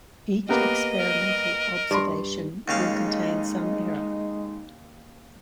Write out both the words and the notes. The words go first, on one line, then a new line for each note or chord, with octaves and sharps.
Each experimental observation will contain some error.
A#3 B3 G4 A#4 D#5
A#4
G2 D5 C6
D#2 C#3 G#3 D#4 F5